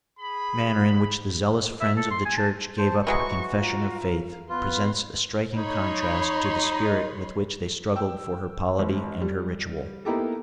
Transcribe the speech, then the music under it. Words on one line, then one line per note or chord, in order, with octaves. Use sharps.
The easy manner in which the zealous friends of the Church gave up her confession of faith presents a striking contrast to the spirit with which they struggled for her polity and her ritual.
G#4 B5
E5
A4
C6
G#5
A5
C5 A5
E3 F#3 G#3 F#4 C#6
F4 F5 A#5
B3 F4 B4 C6
D#4 C#5 B5 C6
G5 E6
G#1
G3
A#3 B3 D#4 E4 G4 A4